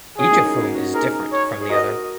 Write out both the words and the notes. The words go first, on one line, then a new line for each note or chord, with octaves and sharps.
Each of whom is different from the other.
C#4 F#4 G#4
A#3 D#4
C#4
C#4 F#4
C#4 F#4
D#4 G#4 A#4
C#5
G#4
F#4 A#4 D#5